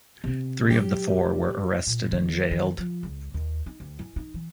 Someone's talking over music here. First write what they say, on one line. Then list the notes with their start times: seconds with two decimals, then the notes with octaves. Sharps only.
Three of the four were arrested and jailed.
0.24 C3 C4
0.70 F#3 G4
1.87 A#2
2.12 D#3
2.51 D#3
2.78 F3
3.03 C#2
3.34 D#2
3.66 D#4
3.80 D2
3.99 E3
4.16 D#4
4.34 E3